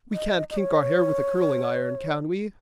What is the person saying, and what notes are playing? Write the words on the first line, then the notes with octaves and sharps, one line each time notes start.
We can't kink our hair with a curling-iron, can we?
D#5
D#5
C#5